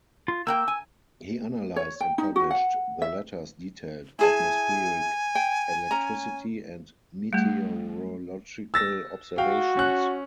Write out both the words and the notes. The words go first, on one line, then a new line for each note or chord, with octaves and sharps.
He analysed and published the latter's detailed atmospheric electricity and meteorological observations.
F4
A#3 F#5 G5 E6
G#5
C#5
G5
D#4
F#4
F#5
E5
E4 G#4 G#5 A5
G5
C#4 A#5
G3 A3
E6 A6 A#6
F#4 F5 G5
C#4 F#6